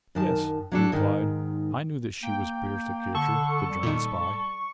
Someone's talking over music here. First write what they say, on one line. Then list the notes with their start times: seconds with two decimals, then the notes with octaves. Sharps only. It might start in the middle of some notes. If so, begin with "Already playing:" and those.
"Yes," he replied, "I knew that she was Bertha Kircher, the German spy?"
0.15 F#2 D#3 A5
0.72 F#3 D4 A4
0.92 G#2 D#3
2.23 A#3 G5
3.15 D3 A4 C#6
3.69 G3
3.83 A#2 D#3